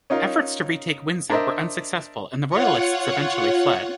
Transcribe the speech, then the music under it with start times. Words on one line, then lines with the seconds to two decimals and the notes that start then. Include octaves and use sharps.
Efforts to retake Windsor were unsuccessful and the royalists eventually fled.
0.10 C#4 D#4 F4 A#4
1.30 D4 A#4 C5 D#5 E5
2.50 F4 C#5 F#5